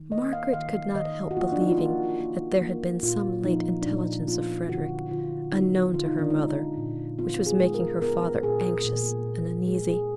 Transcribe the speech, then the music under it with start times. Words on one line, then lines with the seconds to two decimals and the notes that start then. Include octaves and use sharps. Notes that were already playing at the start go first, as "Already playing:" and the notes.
Margaret could not help believing that there had been some late intelligence of Frederick, unknown to her mother, which was making her father anxious and uneasy.
Already playing: D#3
0.12 A#3 D#5
0.33 F5
0.53 D#3 F5
0.95 D#3 D#5
1.31 F#4
1.37 A#3 F4
1.52 D4
1.61 D#4
1.70 F4
1.78 A#3 F#4
2.20 A#3
2.61 A#3
3.03 A#2 F4
3.44 F3 D#4
3.82 D4
3.86 A#2 D#4
4.28 B3 F4
4.69 D3 F#4
5.11 D3 F4
5.52 B3 D#4
5.94 D3 F4
6.06 D#4
6.19 D4
6.30 D#4
6.35 G#3
6.77 A#2
7.19 B3 F4
7.46 G#4
7.60 G#3
7.74 A#4
8.02 B3 A#4
8.43 A#2 G#4
8.85 A#2
9.26 A#2
9.68 G#3 G#4
9.88 G#4